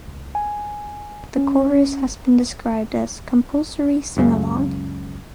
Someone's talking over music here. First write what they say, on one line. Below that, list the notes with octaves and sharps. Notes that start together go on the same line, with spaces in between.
The chorus has been described as "compulsory singalong".
C#2
G#5
C#4
C#2 F#2 C#3